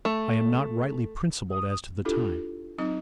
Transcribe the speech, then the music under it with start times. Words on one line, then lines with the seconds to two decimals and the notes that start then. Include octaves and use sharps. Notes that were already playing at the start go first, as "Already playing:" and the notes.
I am not rightly principled as to the time.
0.05 A3
1.50 D#6
2.05 D4 E4 F4 G4 A4
2.78 F#3 C4 D#4 D#5